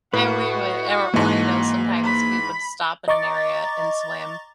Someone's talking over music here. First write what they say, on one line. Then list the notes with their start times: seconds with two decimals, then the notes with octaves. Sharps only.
And we would or or, you know, sometimes we would stop in an area and swim.
0.14 A2 F#4 B4
1.14 G#2 E3 A#3 D#5 A5
2.04 B5
3.08 D#5 A#5 C#6 D6 A6